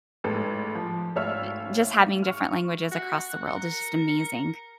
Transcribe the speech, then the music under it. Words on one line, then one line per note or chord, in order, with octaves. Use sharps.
uh, just having different languages across the world is just amazing.
A1 G#2 B3 A4
F3
G#1 A3 C#5 E5 E6 F6
C#6 F6
F#4 F#6
A#4 C#7